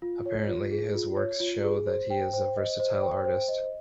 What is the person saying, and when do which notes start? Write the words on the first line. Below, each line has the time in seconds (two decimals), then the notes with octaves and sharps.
Apparently, his works show that he is a versatile artist.
0.02 F4
0.26 C#5
0.48 F4
0.71 G#4
0.95 F4
1.17 C#5
1.40 F4
1.63 G#4
1.86 C5
2.10 G5
2.33 C5
2.57 D#5
2.79 C5
3.02 G5
3.25 C5
3.48 D#5